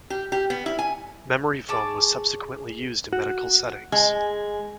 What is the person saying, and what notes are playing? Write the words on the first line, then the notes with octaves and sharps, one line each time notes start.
Memory foam was subsequently used in medical settings.
G4
G4
B3
E4
G#5
G#4 C#5 A5 D6
F#4
G#3 G#5